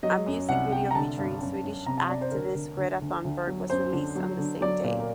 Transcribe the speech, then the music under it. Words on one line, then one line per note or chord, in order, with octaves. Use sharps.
A music video featuring Swedish activist Greta Thunberg was released on the same day.
F#3 D#5
F#2
C2 F#5
C2 G5
A#5
D3 A5
G2
F#2
F#2
C3 A#5
A5
C3 D5
C5
D2 A#4
D2
D2
D2
D2
F#3
F#2 C5
D3
F#3
D3
F#3 D5
A#2
A#4